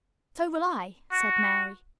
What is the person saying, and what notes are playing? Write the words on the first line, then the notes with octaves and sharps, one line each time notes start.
"So will I," said Mary.
F#4